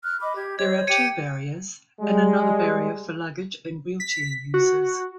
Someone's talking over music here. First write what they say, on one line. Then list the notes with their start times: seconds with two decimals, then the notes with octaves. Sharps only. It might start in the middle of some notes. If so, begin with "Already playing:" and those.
There are two barriers, and another barrier for luggage and wheelchair users.
0.04 F6 F#6
0.21 D#5 B5 D6
0.35 G4 G#6
0.59 C5 C#5 D#5 G#6
0.87 G4 G5 G#6 C#7 D#7
2.00 G3 G#3
4.00 B6
4.54 F#4